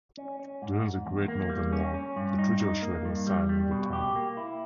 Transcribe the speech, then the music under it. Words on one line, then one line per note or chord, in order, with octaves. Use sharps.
During the Great Northern War, the Treaty of Schwedt was signed in the town.
C#4
C#4
G#2
G#2
E2
A#3
G3
C#4
C#4
G2
D#4
D#4
A#3
G2
G3
G3
B2
G4
A#3
E4